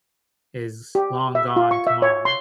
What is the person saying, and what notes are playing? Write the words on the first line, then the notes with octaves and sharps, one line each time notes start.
is long gone tomorrow.
G4
E5
F4
C#6
E5
C#5
C6